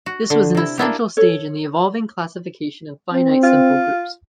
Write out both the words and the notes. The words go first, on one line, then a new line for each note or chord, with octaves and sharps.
This was an essential stage in the evolving classification of finite simple groups.
F#4
D3
C3 E4
A#3 D4 E4 G4
A4 C#5
C4
F4